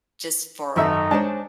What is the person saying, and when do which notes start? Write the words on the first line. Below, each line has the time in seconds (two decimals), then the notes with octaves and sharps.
just for
0.76 G#1 F#2 D#4 F#4 A4 E5
1.11 G#3 D4 C5 C#5 A5